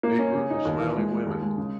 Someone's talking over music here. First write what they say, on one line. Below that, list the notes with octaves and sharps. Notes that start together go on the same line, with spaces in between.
A group of smiling women.
A#3
C#4
C#3
D#4
D#2
E3
G#3
G#3
D#2
G#3
C#3